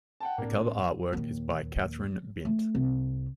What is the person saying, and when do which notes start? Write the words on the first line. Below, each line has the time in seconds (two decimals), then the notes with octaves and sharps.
The cover artwork is by Kathryn Bint.
0.20 F#5 G5 A5
0.38 A2 A#3 C4 D4
1.13 D#2 A#2
2.45 A3
2.75 C2